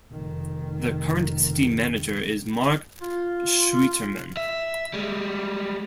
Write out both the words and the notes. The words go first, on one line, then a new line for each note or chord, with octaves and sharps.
The current City Manager is Mark Schwieterman.
F1 D#3
F4
E5
G3 G#3